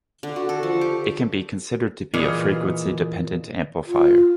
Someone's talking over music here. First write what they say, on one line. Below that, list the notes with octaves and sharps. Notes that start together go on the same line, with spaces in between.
It can be considered to be a frequency-dependent amplifier.
D3
F#4
A4
F3
G4
A#2 E3 G#4 D#5 F6
F4